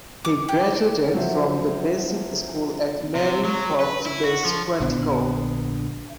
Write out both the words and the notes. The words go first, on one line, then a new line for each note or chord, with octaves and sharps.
He graduated from The Basic School at Marine Corps Base Quantico.
D6
G4
F3 F#3 F#4 C5 E5
C3
F#3
B4
E4
F#4
F3
A#1 D3 B3 D4